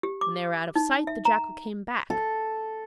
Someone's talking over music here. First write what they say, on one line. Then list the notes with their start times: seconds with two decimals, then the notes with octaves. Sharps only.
When they were out of sight the jackal came back.
0.03 G4
0.21 D6
0.76 D#4
1.07 E5
1.25 A#5
2.10 A4